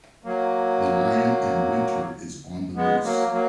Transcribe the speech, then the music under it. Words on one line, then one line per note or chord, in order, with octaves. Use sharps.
The lion in winter is on the loose.
F#3 A#3
G#3 B3
F#3 A#3
F#3 A#3